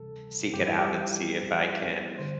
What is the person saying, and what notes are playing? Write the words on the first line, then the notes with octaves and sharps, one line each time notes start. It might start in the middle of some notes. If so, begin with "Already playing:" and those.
seek it out and see if I can
Already playing: D2 C3 E3 G3 A4
G2 E3 G3 G4
E4
G4
D3 G3 C5